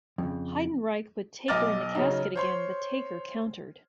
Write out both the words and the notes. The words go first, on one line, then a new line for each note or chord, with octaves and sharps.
Heidenreich put 'Taker in the casket again but 'Taker countered.
F2 C#3
B1 D#5 D6 F6 A6
C#3 F#3 D#4
C5 C#5 C6